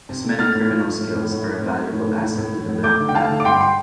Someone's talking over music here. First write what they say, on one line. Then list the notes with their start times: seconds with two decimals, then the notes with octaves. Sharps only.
His many criminal skills are a valuable asset to the Black Bat.
0.09 C3
0.24 A3
0.39 A3 F6 A6
0.55 A2
0.71 F3
0.86 A3
1.00 A2
1.16 A2
1.32 A2
1.47 A2
1.62 C4
1.77 A3
1.92 A2
2.08 A2
2.23 A2
2.38 A2
2.54 A2
2.68 A2
2.84 A3 D6 G6
3.00 D3
3.09 G5
3.15 A3 F5 A5
3.30 D3
3.40 D6
3.45 G2 G5 C6
3.61 G5 C6